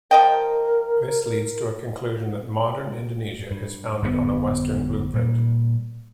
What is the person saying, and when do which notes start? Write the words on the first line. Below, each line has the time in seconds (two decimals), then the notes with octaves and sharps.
This leads to a conclusion that 'Modern Indonesia' is founded on a Western blueprint.
0.11 F3 A#4 D#5 G5
3.51 G2
4.02 G1 F2 C3 B3
5.14 A#2 G3